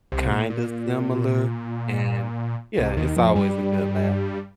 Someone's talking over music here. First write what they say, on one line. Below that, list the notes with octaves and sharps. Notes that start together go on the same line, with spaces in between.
kind of similar, and, yeah, it's always a good laugh,
C2 C3
A#2
A#2
C2 C3
D#2 D#3
F2 F3
G2 G3